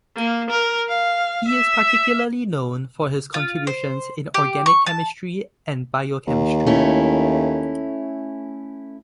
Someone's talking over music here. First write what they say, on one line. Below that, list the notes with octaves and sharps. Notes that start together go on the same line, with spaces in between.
He is particularly known for his contributions in organic chemistry and biochemistry.
A#3
A#4
F5
E5
F4
C5
G4
C#6
A5
D#2
A3 C#4 E4